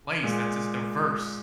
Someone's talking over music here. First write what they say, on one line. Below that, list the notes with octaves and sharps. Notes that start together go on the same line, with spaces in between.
place that's just diverse
A#2 G#3